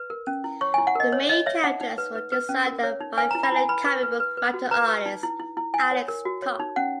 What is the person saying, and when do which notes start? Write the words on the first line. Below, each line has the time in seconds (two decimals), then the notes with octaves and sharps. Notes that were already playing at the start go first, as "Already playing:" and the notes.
The main characters were designed by fellow comic book writer-artist Alex Toth.
Already playing: B4
0.10 A#4
0.27 C#4
0.44 E4
0.61 C#5 C#6
0.74 E4 G#5
0.87 F#5
0.95 A#4 D#5
1.12 C#5
1.29 C#5 D#5
1.46 C#5 E5
1.64 D#4 F#5
1.81 D#4
1.98 B4
2.15 B4
2.32 B4
2.49 C#4
2.66 A#4
2.84 C#5
3.00 D#4
3.17 B4 G#5
3.31 E4 A#5
3.43 B5
3.52 E4 G#5
3.69 B4 B5
3.86 B4
4.03 B4
4.20 B4
4.37 B4
4.54 F#4
4.71 B4 A#5
4.88 B4
5.06 D#4
5.23 E4
5.40 E4
5.57 E4
5.74 E4 G#5
5.91 C#5
6.08 A#4
6.25 F#4
6.42 C#5
6.60 D#4
6.76 C#4 F#5